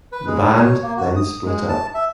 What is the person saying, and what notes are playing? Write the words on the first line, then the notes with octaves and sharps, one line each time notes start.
The band then split up.
B4
G#3
C#5
A#3
F#4
D#6
G#3
A5
E5